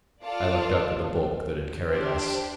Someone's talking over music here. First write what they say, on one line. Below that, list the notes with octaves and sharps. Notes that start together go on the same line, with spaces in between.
I looked up at the bulk that had carried us.
F4 A4 D5 F5 A5
D4 G4 C5